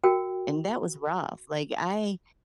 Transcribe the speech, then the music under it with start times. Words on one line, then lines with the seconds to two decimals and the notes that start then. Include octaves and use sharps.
and that was rough, like, I
0.04 F#4 A#4 G5